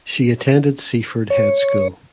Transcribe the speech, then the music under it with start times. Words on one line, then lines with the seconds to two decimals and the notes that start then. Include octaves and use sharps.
She attended Seaford Head School.
1.30 C#5